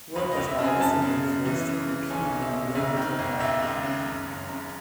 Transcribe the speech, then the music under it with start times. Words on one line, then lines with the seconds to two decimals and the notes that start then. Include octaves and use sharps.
Workers are also being forced to compete in a global job market.
0.16 C#2 B4
0.32 D#5
0.37 C#2
0.48 E5
0.59 C#3
0.64 G#5
0.80 F#2 A5
1.02 C#3
1.23 C#3
1.45 E3
1.67 C#3
1.89 E3
2.10 B1 G#5
2.32 B2
2.42 E5
2.53 B2
2.75 G#1 E5
2.97 D#3
3.19 G#1
3.40 C#2 E5
3.62 C#2
3.84 C#3
4.06 F#2
4.27 F#1
4.48 F#2